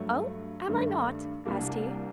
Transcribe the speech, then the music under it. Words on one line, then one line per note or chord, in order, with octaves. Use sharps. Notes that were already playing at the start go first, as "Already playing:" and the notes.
'Oh, am I not?' asked he.
Already playing: G2 F#3 A3
G2 D#3 A3 D4
C2 C3 G3 A#3 D4